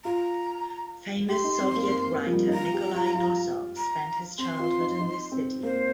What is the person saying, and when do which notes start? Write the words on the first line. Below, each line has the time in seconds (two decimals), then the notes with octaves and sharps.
Famous Soviet writer Nikolay Nosov spent his childhood in this city.
0.05 F4 A#5
1.29 G4 C6
1.44 D#4
1.60 C4
1.76 A#3
1.91 A#3
2.12 A#3
2.26 F3
2.32 G3
2.48 D#4
2.53 F4 A#5
2.73 G4
2.94 F4
3.15 F4
3.77 A#5
4.38 C4 C6
4.60 F4
4.80 D#4
5.00 D#4
5.32 C4
5.63 A#3 C5